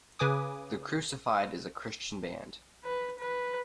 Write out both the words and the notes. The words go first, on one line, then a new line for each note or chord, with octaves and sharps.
The Crucified is a Christian band.
C#3 B4 G#5 D6 D#6
B4
B4